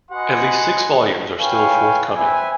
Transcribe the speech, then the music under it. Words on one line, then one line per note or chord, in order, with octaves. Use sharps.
At least six volumes are still forthcoming.
F#4 B4 D#5 F#5 G#5 C6
B4 C#5 F5 G5 G#5 C#6
C4 B4 E5 G#5